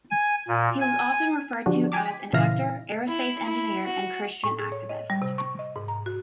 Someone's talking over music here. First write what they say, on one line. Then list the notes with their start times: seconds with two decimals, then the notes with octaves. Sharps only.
He was often referred to as an "actor, aerospace engineer, and Christian activist".
0.11 G#5
0.48 A#2
0.80 G#5
1.66 D3 F3 G3 D4 F#4
1.92 G5 G#5 D6
2.05 B6
2.33 A#2 C#3 E3 E4 F5 A#6
3.08 E4
3.45 E4
3.85 F#4
4.44 A2
4.59 G#4
4.72 C#5
4.89 D#5
5.10 G3
5.22 C3
5.38 C#6
5.59 D#5
5.76 G#2
5.88 A#5
6.06 F#4